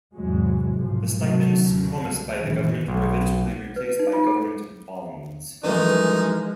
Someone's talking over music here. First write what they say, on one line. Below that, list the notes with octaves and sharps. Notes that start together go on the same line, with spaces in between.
The stipends promised by the government were eventually replaced by government bonds.
E2 G#2 C3 F#3 G#3
B1 G#2 F3
C3 F#3 A3
F#2
D2 G3
F#2 A#2 D#3 E3
B1
B4
D#4
F4
A4
F#2 E3 F3 G#3 A3 D#4